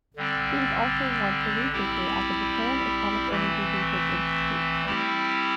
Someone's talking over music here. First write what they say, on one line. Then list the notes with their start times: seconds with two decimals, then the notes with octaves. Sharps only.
He was also once a researcher at the Japan Atomic Energy Research Institute.
0.16 D3 G3 C4
1.72 G3 C4 E4 G4
3.29 E3 A3 C4
4.85 G3 C4 E4 G4